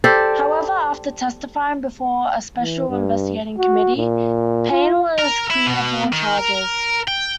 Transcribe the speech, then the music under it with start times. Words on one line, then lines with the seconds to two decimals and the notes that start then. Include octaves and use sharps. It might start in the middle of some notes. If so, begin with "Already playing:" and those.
However, after testifying before a special investigating committee, Payne was cleared of all charges.
0.04 G4 A4 C5 D5
2.58 E3
2.89 G2
3.58 F#4
3.96 A#2
4.71 F4
5.18 A#4
5.50 E4
5.66 B2
6.13 D#3
6.38 A#4
7.08 G5